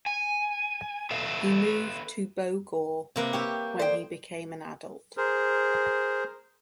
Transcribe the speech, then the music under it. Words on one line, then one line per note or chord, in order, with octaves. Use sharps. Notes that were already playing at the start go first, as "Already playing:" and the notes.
He moved to Bogor when he became an adult.
G#5
A4 B4 E5 F5
C3 A#3 B4
G4 C#5 E5
A4 C5 D5 G5
G#4 A#4 C5